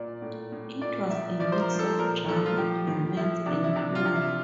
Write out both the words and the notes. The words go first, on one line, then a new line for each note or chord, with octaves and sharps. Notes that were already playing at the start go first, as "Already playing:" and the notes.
It was a mix of drama, romance and humor.
Already playing: A#2 D5
A2
A2
A#2 D5
F3 E5
F3 D5
C5
A#4
F3
A4
A#2 A#4
F3 A4
F4
F3 G4
A2
F3 E4
C3 D4
E4
C3 D4
F4
C3
E4